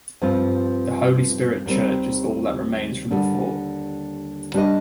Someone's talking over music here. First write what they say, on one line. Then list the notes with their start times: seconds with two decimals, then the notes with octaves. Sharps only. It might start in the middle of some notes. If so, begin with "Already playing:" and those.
The Holy Spirit church is all that remains from the fort.
0.22 G2 F3 C4 F4
1.66 D#2 D#3 G3 C4
3.11 D#2 D3 G3
4.54 G3 D4 G4 C5 D#5